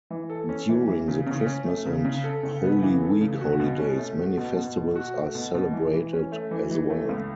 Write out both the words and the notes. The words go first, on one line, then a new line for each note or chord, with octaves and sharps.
During the Christmas and Holy Week holidays many festivals are celebrated as well.
E3
A4
C#4
E3
E3
C#3
C#3
C#4
A3
C#3
C#3
A4
C#3
B3
E3
A4
C#3
F#4
B2
C#4
A3
F#4
B2
B2
B2
F#4
A3
B2
B2
E3
E3
C#4
A3
E3
E3
A3
C#2